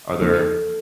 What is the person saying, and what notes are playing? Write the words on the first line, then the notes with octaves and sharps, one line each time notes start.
are there
E2 C#3 F3 A#3 D#4 A4